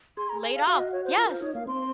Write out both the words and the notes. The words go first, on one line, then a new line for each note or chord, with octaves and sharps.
Laid off. Yes.
G#4 C6
A#5
G#5
F5
F#4 F5
D#5
C#5
C5
F4
A#4
F4 C5
D#4 C#5
A#3 F5
C4 C6